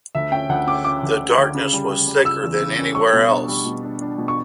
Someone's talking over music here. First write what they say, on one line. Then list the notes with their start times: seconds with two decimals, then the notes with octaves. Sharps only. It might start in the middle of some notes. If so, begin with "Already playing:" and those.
The darkness was thicker than anywhere else.
0.15 D2 E5
0.32 C#4 G5
0.49 D2 F#5
0.67 C#4 D6
0.85 C#4 D6
1.03 D2
1.21 D3
1.38 D3
1.55 C#3
1.73 G3
1.90 G3
2.08 G3
2.25 C#3 E6
2.43 E2
2.61 C#3
2.79 C#4
2.95 G3 C#6
3.13 B2
3.30 D4
3.48 G3
3.65 B2
3.83 D4
4.01 D4
4.18 B2
4.28 C#6